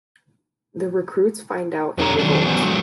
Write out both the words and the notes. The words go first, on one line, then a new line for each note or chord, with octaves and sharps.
The recruits find out and revolt.
F2 C#4 G4 G#4 A#5
D#3 F3 F#3 C#4 D4
E3 F#3 B3 G4 C5 G#5
F3 F#3 G#3 D4 A4